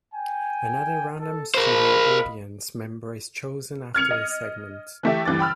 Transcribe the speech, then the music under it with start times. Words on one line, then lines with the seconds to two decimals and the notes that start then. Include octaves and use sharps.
Another random studio audience member is chosen after the segment.
0.14 G5 G#5
1.16 A4
1.54 A#4 C5 D#5 F5 B5
3.94 F6 G#6 C#7 F7
4.11 D#5
5.03 E3 A3 G4 E5
5.25 D2 G2 E3 D6 A6
5.39 G5 B5 E6 F6